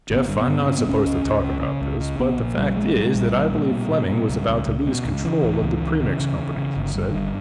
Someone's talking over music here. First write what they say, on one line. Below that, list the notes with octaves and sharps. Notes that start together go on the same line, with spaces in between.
"Jeff, I'm not supposed to talk about this, but the fact is that I believe Fleming was about to lose control of the Premix Company," he said.
G1
B3
G2
B3
G2
C#3 C#4
B3
C#2 C#4
C#2
C#2
C#3
C#3
C#2
C#3
A#1 B3
A#2
A#1 G3
A#2 G#3
A#2 G3
G#3
A#1 G3
A#2
A#2
B2
B2
B2
C#2
C#2
C#2
B2
C#2
C#3 E3
C#2
C#2
C#3
C#3
C#3
C#3
C#3
G1
G2
G1